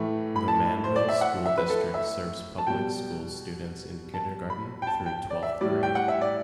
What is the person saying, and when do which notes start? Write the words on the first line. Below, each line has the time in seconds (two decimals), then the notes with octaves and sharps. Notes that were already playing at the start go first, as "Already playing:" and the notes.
The Manville School District serves public school students in kindergarten through twelfth grade.
Already playing: A2 E3 A3
0.36 B5
0.48 A5
0.84 C5
0.96 D5
1.09 E5
1.21 F#5
1.46 E5
1.58 B4
1.70 A4
1.94 E5
2.58 A5
2.67 B2 G3 G5
4.14 A5
4.50 B5
4.82 G5
4.87 A5
5.06 G5
5.30 D5
5.43 E5
5.61 A2 G3 D5
5.83 G5
5.95 F#5
6.08 E5
6.21 D5